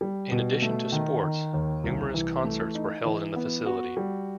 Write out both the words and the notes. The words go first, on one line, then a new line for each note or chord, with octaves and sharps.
In addition to sports, numerous concerts were held in the facility.
G3
B2
A3
D#3
D#3
D#2
C2
E3
A3
D#4
E3
B3
F#4
G3